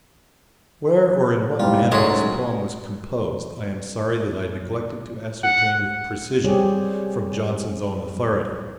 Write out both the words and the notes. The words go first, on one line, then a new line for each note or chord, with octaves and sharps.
Where, or in what manner this poem was composed, I am sorry that I neglected to ascertain with precision, from Johnson's own authority.
F#1 C2 G#2 G3 F4
F#2 D#3 G#3 A3 C#5 D#5
F#5
G3 C4 G4 G#4 C#5 D5